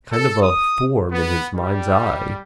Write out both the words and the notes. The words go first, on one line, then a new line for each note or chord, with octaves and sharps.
Kind of a form in his mind's eye.
A4
D#6
B3
G3